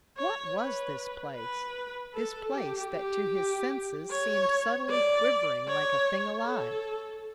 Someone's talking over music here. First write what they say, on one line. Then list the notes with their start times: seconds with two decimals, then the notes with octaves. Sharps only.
What was this place?--this place that to his senses seemed subtly quivering like a thing alive?
0.17 C#5
0.57 B4
1.35 B4
2.14 A4
2.53 G4
2.93 G4
4.11 C#5
4.89 D5
5.68 C#5
6.46 A4